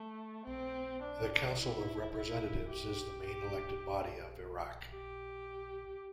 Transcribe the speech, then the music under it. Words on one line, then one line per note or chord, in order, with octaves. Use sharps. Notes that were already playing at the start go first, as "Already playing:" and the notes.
The Council of Representatives is the main elected body of Iraq.
Already playing: A3
C4
D4
E4
E4
G4
G4
G4